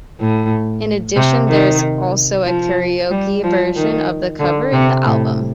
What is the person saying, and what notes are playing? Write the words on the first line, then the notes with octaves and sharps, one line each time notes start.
In addition, there is also a karaoke version of the cover in the album.
A2
C3
D#3
F3
G3
F3
D#3
D3
C3
A2